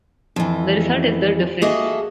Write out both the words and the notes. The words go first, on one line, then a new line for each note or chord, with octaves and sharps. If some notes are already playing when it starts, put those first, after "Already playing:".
The result is the "difference".
F2 E3
A#3 F#4 G#4 A4 D#5 E5